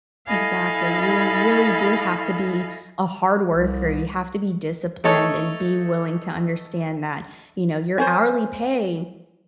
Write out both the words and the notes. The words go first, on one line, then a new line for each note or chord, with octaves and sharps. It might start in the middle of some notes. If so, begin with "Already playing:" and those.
Exactly. You really do have to be a hard worker, you have to be disciplined and be willing to understand that, you know, your hourly pay,
E4 A4 D#5 F5 G#5 B5
C2
A3 D#4 A4 C#5
C5 C#5 G#5